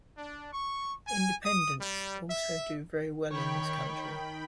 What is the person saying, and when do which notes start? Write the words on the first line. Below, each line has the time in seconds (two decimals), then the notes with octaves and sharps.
Independents also do very well in this county.
0.17 D4
0.53 C#6
1.07 G#5
1.46 D#6
1.80 G3
2.30 E5
3.31 D#3 C#5 G5 B5